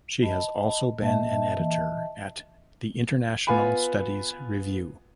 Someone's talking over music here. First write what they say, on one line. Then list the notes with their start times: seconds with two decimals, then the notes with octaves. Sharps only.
She has also been an editor at the International Studies Review.
0.22 D#5 A5 B5
1.02 A#2 D#5 E5 A5
1.59 E3
3.47 B3 F4 B4 G#5 B5